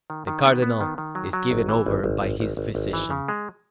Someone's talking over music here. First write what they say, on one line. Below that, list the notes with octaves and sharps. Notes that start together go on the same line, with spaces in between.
The cardinal is given over by his physician.
D#3
D#3
B3
B3
D#3
D#3
F#3
F#3
G#1
E3
G#1
G#1
G#1
G#1
G#1
G#1
E3
C#3
G#3